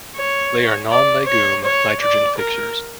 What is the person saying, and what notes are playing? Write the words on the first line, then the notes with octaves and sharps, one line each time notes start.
They are non-legume nitrogen fixers.
C#5
D5
C#5
C#5
D5
A#4